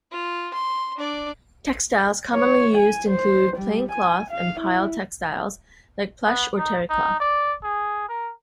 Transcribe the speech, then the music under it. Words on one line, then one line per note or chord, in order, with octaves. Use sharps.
Textiles commonly used include plain cloth and pile textiles like plush or terrycloth.
F4
C6
D4 D5
C#5
G#5
C5
G3
G#5
F5
E4
B3
D#4
D#4
D5
G#4
A#4